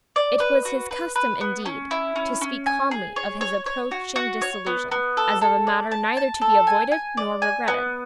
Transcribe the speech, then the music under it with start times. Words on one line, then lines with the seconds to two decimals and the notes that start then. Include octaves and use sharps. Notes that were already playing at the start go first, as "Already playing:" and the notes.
It was his custom, indeed, to speak calmly of his approaching dissolution, as of a matter neither to be avoided nor regretted.
0.16 D5
0.40 B4
0.65 F#4
0.91 B4
1.16 B4
1.41 B3
1.66 C#4
1.91 E4
2.16 C#4
2.41 C#4
2.66 G#5
2.91 G#4
3.16 C#5
3.41 C#5
3.66 C#5
3.91 F#4
4.16 F#4
4.42 C#5
4.66 B3
4.92 B3
5.17 A4
5.41 A4
5.67 D5
5.91 A5
6.17 A5
6.42 A4
6.67 G#5
6.91 G#5
7.17 D5
7.42 G#5
7.68 B3